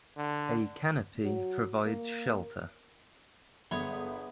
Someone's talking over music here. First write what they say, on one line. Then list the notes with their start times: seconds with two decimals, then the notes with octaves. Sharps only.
A canopy provides shelter.
0.17 D3
1.24 F#3
1.85 A#3
3.71 G1 B3 G#4 C#5 E5 B5 D#6